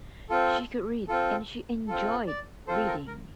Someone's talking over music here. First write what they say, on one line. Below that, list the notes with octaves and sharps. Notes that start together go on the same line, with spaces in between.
She could read and she enjoyed reading.
C4 F4 A4
C4 F4 A4
C4 F4 A4
D5
C4 F4 A4 C5
A#4
A#4